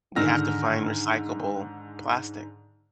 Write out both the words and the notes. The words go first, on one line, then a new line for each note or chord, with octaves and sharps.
we have to find recyclable plastic.
G#2 D3 D#3 E6 F6 A#6